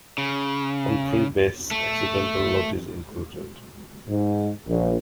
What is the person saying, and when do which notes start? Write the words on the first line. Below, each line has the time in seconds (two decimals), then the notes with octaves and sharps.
One free bass accidental note is included.
0.18 C#3
1.71 A3
4.08 G#2
4.68 A#1